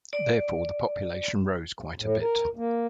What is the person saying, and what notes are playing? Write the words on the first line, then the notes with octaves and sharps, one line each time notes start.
Therefore, the population rose quite a bit.
D5
A2
A#4
A#3